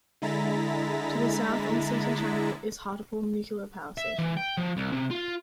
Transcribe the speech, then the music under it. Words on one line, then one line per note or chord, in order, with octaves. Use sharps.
To the south on Seaton Channel is Hartlepool Nuclear Power Station.
D3 G#3 E4 A#5 A6 B6
E5
E3
G5
F3
C2
C3
F4